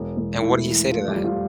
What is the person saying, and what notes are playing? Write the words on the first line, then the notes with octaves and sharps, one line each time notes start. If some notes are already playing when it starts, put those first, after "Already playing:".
And what did he say to that?
Already playing: E1
E1
A3 E4
E3
F3 A3 F4
G3 G4
F2
F3 F4